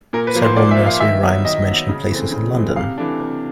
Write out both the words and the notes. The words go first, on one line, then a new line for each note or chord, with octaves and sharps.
Several nursery rhymes mention places in London.
A#2 A#4
B4
F3 A#3
C5
A#2 D5
E5
F3 A#3
F5
D#3 E5
F#3 B3
D#3 D#5
F#3
B3
C#3
E3 A3 C4
C#3
E3 A3 C4
C3 F5
E3 A3 D4
C3